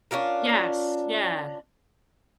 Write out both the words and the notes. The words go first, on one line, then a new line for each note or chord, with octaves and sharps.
Yes, yeah.
C#4 D4 F4 A#4